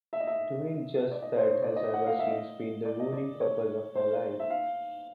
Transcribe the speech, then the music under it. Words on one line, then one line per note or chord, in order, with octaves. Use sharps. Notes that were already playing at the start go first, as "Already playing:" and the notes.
Doing just that has ever since been the ruling purpose of my life.
E5
D#5
E5
D5
D#5
C5
C#5
D5
D#5
F#5
F5
E5
D#5
D5
D#5
D5
C#5
C5
E5
F5